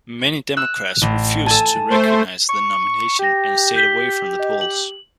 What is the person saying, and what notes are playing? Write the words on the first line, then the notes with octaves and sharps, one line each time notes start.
Many Democrats refused to recognize the nomination and stayed away from the polls.
E6 F#6
A1
A4 G#5 A5
A3 C5
C#6
G4 G5 A#6
G6 B6 G7
D#5
F#7